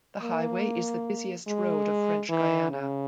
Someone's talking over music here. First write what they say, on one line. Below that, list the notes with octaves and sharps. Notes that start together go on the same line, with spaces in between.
The highway is the busiest road of French Guiana.
A#3
G#3
E3
C#3